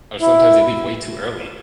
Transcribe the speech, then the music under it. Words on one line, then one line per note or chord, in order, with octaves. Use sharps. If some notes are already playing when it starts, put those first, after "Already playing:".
or sometimes they leave way too early.
E4